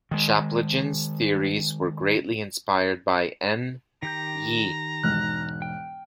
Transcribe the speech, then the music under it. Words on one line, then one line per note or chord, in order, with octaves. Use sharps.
Chaplygin's theories were greatly inspired by N. Ye.
D#3 G#3
D#3 G4 A#5 G6
E1 G#2 F6 F#6
G5